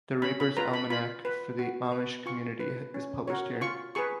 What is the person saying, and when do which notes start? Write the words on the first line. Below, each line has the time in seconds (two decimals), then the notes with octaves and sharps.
The Raber's Almanac for the Amish community is published here.
0.22 C#4 B5
0.40 B5
0.57 F4 B4 A#5
0.74 B5
0.90 F4 B5
1.25 B4
1.59 F#4
1.92 B4
2.26 F4 C#6
2.60 B4
2.94 C#4
3.28 F#4 A#4 C#5
3.61 F4 C#6
3.95 G#4 B4 C#6